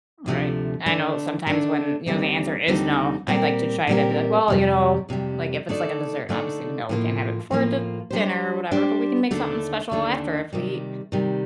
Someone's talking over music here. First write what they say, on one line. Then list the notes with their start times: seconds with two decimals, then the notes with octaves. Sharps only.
Right, I know sometimes when, you know, the answer is "no", I'd like to try to be like, "Well, you know" like, if it's like a dessert, obviously, "We no we can't have it before the dinner or whatever, but we can make something special after if we"
0.26 D2 C3 F3 A3
0.86 D3 A3 D4
1.47 D3 A3 D4
2.06 D#2 D3 G3 C4 D#4
2.67 D#2 D3 G3 C4 D#4
3.27 A#2 G3 C4 G4 A#4
3.87 A#2 G3 C4 G4 A#4
4.48 F2 C3 G3
5.09 F2 C3 G3
5.69 D3 A3 D#4 A4 D5
6.29 D3 A3 D#4 A4 D5
6.89 A2 F3 A#3 F4
7.51 A2 F3 A#3 F4
8.10 G3 D4 G4 C5
8.71 G3 D4 G4 C5
9.31 D#2 D3 A3 D4 A4
9.91 D#2 D3 A3 D4 A4
10.53 C3 D#3 G3
11.12 C3 D#3 G3